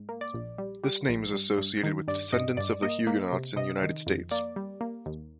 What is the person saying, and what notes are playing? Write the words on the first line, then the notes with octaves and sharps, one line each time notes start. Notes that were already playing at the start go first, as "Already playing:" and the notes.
This name is associated with descendents of the Huguenots in the United States.
Already playing: G#2
A#3
D5
A#1
G3
G3
A#1
G2
G2
D#3
G2 D5
G2 D#5
G2 D5
A#3 D#5
A#3
C3
C3 D#5
D#3
F2
A#3 D5
G3
A#3
D#2